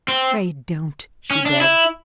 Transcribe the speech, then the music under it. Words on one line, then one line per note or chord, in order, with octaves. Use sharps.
"Pray don't!" she begged.
C4
C#4
D4
E4